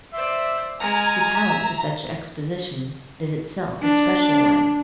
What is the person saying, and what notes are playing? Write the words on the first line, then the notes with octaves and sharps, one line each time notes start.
The talent for such exposition is itself a special one.
C5 D5 E5
G#3 G#5 A#5 F6
E5
D4